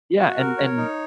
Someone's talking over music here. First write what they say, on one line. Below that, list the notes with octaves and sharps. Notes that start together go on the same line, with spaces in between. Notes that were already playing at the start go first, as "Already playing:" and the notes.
yeah, and and
F#4
A#4
C#5
D#4